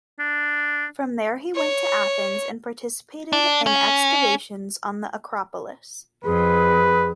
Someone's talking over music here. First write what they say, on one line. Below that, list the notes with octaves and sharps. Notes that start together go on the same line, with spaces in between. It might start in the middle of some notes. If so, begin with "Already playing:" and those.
From there he went to Athens and participated in excavations on the Acropolis.
D4
C#5
D4
C#4
F2 G#4 B4